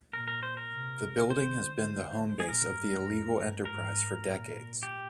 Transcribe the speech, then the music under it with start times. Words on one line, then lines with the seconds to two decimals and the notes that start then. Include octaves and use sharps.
The building has been the home base of the illegal enterprise for decades.
0.13 A#2 A#4
0.28 A#4
0.43 C5
0.57 A#4
0.71 C3
1.30 D3 C5
2.40 G#4
2.48 A#2 A#4
2.77 G2
3.07 F2
3.36 G2
3.65 G#2 A#4
4.24 A#2
4.83 G4